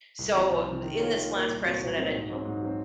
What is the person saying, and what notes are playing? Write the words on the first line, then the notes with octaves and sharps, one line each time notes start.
So, we in this last presidential
C2
C3 F3
C2
C3 F3
D#3
A#3 F4 A#4 C#5
D#3
A#3 F4 A#4 C#5
C2
A#2 F#3 C4 F#4
C2
A#2 F#3 C4 F#4
G#2
F#3 C4
G#2
F#3 C4